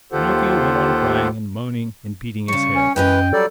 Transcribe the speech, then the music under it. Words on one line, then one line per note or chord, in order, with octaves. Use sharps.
Pinocchio went on crying and moaning and beating his head.
D#2 F4 G4 A4 C5 F#5
C#3 G3 C#6
C#4
F#2 E3 G#3 C#4 B4 D#5 G5
F#3 G3 A4 D5